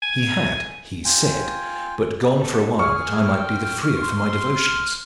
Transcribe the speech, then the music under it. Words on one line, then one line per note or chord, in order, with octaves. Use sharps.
He had, he said, but gone for a while that I might be the freer for my devotions.
G#5
F4 G5 G#5
B2 D4 A4
G#4 C#6 F6
F#2 C4 G5
C6
F6